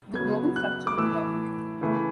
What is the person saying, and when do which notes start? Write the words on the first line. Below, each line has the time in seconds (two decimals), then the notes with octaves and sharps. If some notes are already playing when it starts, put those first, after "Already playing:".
The global structure of the document.
0.14 C#3 F#3 B3 G#6
0.56 F#6
0.87 D6
0.97 A2 E3 A3 E6
1.81 C#3 E3 A3